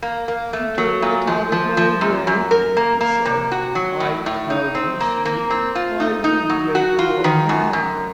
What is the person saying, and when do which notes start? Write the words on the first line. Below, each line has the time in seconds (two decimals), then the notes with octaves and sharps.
"If you don't get out of my way," he said, "I tell you, snake, I will break your head."
0.02 A#3
0.28 A#3
0.53 A3
0.78 F#3
1.02 A#2
1.27 F3
1.52 F3
1.77 F3
2.01 F#2
2.27 F#2
2.51 A#4
2.77 A#3
3.01 A#3
3.25 C3
3.52 F#4
3.75 F#3
4.00 A2
4.26 A2
4.50 D#4
4.75 C4
5.00 A#3
5.26 A#3
5.50 C4
5.75 F4
6.00 D#4
6.24 D#4
6.50 F#3
6.75 F#4
6.99 F4
7.24 D#3
7.49 F#2
7.73 F#2